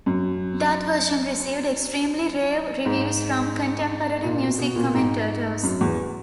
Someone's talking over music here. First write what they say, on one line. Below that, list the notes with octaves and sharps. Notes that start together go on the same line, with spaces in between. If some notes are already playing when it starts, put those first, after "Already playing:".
That version received extremely rave reviews from contemporary music commentators.
F#2
G#2
A#2
B2
B2
A#2
G#2
F#2
E2